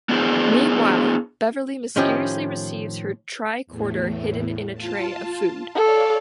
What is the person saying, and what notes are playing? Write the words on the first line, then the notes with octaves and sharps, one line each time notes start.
Meanwhile, Beverly mysteriously receives her tricorder hidden in a tray of food.
B3 D4 E4 G#4 C5
A2 D#3 F3 C#4 G4
E2 A2
F4 A5
A4 C#5 D5 F5